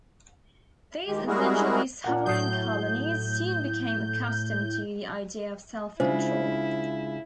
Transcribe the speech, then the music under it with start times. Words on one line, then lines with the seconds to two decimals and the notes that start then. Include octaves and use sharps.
These essentially sovereign colonies soon became accustomed to the idea of self-control.
1.08 D#3 G#3 G4
1.27 G3 G#3 E4 F#4 G#4 A#4
2.04 A#2 A#3 F#5
2.25 A2 F#3 D#6 G6 C7
6.00 C#3 G#3 D4 E4 F4 C5